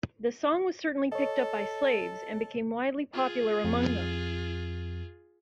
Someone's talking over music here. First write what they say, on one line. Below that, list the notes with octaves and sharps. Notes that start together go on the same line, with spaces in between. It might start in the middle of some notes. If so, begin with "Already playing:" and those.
The song was certainly picked up by slaves and became widely popular among them.
A4 C#5 D#5
F4 G#4
F2